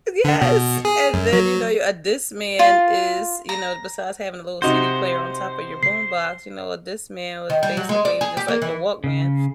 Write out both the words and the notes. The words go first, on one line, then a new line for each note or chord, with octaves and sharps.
Yes! And then, you know, a Discman is, you know, besides having a little CD player on top of your boombox, you know, a Discman was basically just like the Walkman,
D3
B2
G#4
F#2
F#3
F4
A#5
C3 D#4 F#4 C5
C7
D#3
G3
F#3
G#3
D5
G#4
G4
A#3
E3
C#3